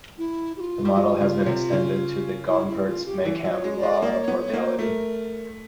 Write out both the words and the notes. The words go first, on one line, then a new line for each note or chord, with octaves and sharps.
The model has been extended to the Gompertz-Makeham law of mortality.
E4
G4
F4
G3
F#3 F4
C#3
C3
C#3
E4
E4
F4
G4
E3
F#3
D5
C#5
G#3
D5
G#3
A#3 D5
C#5
B3
C#5
A3
A#3
C5
A3 A#4